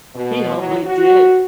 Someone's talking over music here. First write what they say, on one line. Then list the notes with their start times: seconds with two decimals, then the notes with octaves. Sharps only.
He humbly did.
0.15 B2
0.57 F#3
0.86 F#4